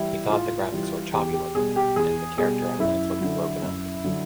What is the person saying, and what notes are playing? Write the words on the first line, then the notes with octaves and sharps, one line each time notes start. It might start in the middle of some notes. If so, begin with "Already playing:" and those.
He thought the graphics were "choppy" looking, and the character outlines looked "broken up".
Already playing: E3 G3 E4
A2 F4
E3 G3
E2 G4
G4
B2 G3 G#4
G4
E2 G#4
B2 G3 G#4
F#2 E4
D3 F#3
F#2
D3 F#3